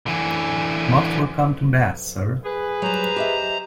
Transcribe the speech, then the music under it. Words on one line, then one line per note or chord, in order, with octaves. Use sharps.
Most welcome to Bath, sir.
D3 E3
G#4 B4
F#3 G3 C5 A#5
G4 D#5 E5